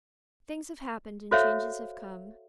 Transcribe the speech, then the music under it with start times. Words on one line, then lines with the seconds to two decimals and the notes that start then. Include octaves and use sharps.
Things have happened, and changes have come.
1.31 F#4 A4 C5 C#5 E5 F5